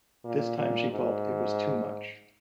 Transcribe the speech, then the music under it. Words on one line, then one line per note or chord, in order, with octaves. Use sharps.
This time she felt it was too much.
A#2
A#2
G#2